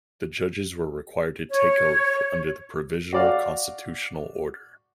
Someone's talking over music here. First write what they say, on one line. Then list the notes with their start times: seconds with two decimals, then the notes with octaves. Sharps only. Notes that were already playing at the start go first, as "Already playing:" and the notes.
The judges were required to take oath under the Provisional Constitutional Order.
1.50 C#5
3.13 F#4 D5 F5